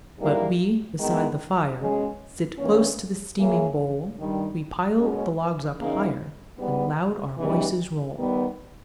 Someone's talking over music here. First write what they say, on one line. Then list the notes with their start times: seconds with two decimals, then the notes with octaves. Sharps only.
But we beside the fire Sit close to the steaming bowl; We pile the logs up higher, And loud our voices roll.
0.18 G#2 G3 A#3 E4
0.98 D#3 G#3 B3 E4
1.78 B2 G#3 C#4 G#4
2.58 G2 E3 A#3 C#4
3.38 E3 A#3 E4 G#4 C#5
4.17 G2 D#3 G3
4.98 B2 G#3 C#4
5.77 E2 C#3 E3 A#3 D#4
6.57 G#2 G3 B3
7.37 C#3 E3 G3 B3 D#4
8.17 D#3 G3 B3